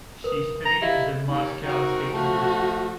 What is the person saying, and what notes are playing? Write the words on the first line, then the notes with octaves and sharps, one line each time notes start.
She studied at the of Moscow State University.
A#4 B4 D#6
A#5
E4 G4 D#5 F5
D#2
C4 D#4 F#4 A#4
F3 A3 F#4